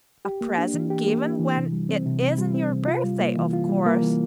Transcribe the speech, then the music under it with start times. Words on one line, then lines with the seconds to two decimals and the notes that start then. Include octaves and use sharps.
'A present given when it isn't your birthday, of course.'
0.25 G4
0.41 A#3
0.58 D4
0.74 E3
0.90 G4
1.07 A#3
1.23 D4
1.39 E3
1.56 C3
1.72 G3
1.89 C4
2.06 C3
2.22 C3
2.38 G3
2.54 C4
2.71 C3
2.87 F4
3.04 G3
3.20 A#3
3.37 E3
3.53 F4
3.69 G3
3.86 A#3
4.02 E3